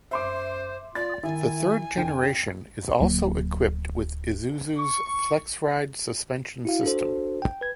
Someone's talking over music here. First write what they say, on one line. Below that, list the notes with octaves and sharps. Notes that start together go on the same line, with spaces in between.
The third generation is also equipped with Isuzu's Flex Ride Suspension System.
F#2 C5 E5 C6 D6
F4 D5 A6
D#3 E4 G#5
F2 D3 G5
D1 F#3 A#3
C#6
E4 F#4 F5
D4 F#4 A4 C5
G5
B4 G#6